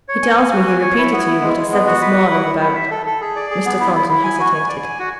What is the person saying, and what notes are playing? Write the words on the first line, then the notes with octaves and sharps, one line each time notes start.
'He tells me, he repeated to you, what I said this morning about--' Mr. Thornton hesitated.
C#5
G#5
G#5
F#4
G#5
C#5
E4
B3
E4
G#3
G#3
B3
F#4
B4
F#5
E4
E4
E4
E5
A4
A4
G#4
D5
G#4
B3
E4
E4
E4
G#5
F#4
G#5
D5
G#5
F#4